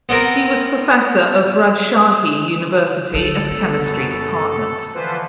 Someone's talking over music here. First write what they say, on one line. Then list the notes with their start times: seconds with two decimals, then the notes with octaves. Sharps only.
He was professor of Rajshahi University at Chemistry department.
0.09 B3 C4 A#4
3.13 D3 F#3 A4
3.50 B3
3.84 F#2 B2
4.95 D3 E3 F3 F4 B4 C5